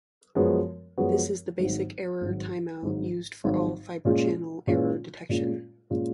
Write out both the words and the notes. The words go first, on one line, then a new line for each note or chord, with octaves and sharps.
This is the basic error timeout used for all Fibre Channel error detection.
F#2 F3 G#3 B3 F#4
F#2 F3 G#3 B3 F#4
G#1 G#2 F#3
G#1 G#2 F#3
G#1 G#2 F#3
G#1 G#2 F#3
A#2 G#3 C#4 F4
A#2 G#3 C#4 F4
A#2 G#3 C#4 F4
A#2 G#3 C#4 F4